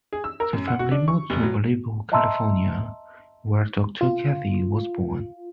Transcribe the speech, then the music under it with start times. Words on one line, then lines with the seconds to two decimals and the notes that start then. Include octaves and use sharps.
The family moved to Malibu, California, where daughter Kathy was born.
0.13 G#4
0.24 E6
0.40 A#4
0.53 F#2
0.68 F#5
0.79 F#4
0.91 D4
1.08 C#6
1.30 F1
1.43 F#3
2.12 D#5 E5 A5 A#5 C6 E6
4.01 F4